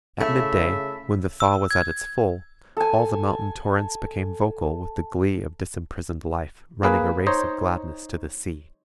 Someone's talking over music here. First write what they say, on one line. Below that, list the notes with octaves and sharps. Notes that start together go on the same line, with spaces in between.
At midday, when the thaw was at its full, all the mountain torrents became vocal with the glee of disimprisoned life running a race of gladness to the sea.
C#3 A3 E4 E5
E6
G#6
A4 G#5
A#3 G#4 B4
D#4 C5 C#5 D#5